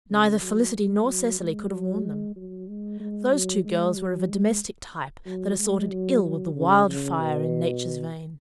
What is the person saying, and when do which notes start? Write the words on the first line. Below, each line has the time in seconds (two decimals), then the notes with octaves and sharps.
Neither Felicity nor Cecily could have worn them. Those two girls were of a domestic type that assorted ill with the wildfire in Nature's veins.
0.10 C#3
0.41 F#3
0.75 G#3
1.07 F#3
1.39 G#3
1.71 F#3
2.03 G#3
2.36 F#3
2.68 G#3
3.00 G#3
3.32 F#3
3.65 G#3
3.97 F#3
4.29 G#3
5.26 F#3
5.59 G#3
5.91 F#3
6.23 F#3
6.55 C#3
6.88 C#3
7.20 B2